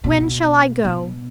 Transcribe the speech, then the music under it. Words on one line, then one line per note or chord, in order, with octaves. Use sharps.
When shall I go?
B2
B2